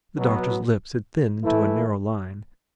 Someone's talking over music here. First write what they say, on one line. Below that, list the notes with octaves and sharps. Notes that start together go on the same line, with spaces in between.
The doctor's lips had thinned into a narrow line.
B2 F#3 B3
E3 A3 E4